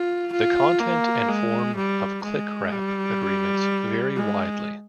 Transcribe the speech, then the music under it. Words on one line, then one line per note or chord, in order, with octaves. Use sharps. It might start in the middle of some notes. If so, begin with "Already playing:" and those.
The content and form of clickwrap agreements vary widely.
Already playing: F4
F4
A#3
G#3
G3
G#3
G3
G#3